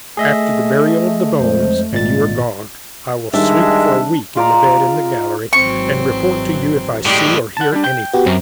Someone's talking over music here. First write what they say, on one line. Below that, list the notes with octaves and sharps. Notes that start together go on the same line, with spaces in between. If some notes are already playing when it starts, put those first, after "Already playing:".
After the burial of the bones, and you are gone, I will sleep for a week in the bed in the gallery, and report to you if I see or hear anything.
A3 G#4 D#5 E5
F2 G#3 C5
G#1 A#2 G#3 A6
G2 D#3 G3 G#3 D4 E5
G#3 F4 D5 A#5
G#1 E3 F#3 C4 C#6
A2 G#3 G4 D5
F#5 A5
G3 D4
G5
B3 F#4 G4
F#2 C4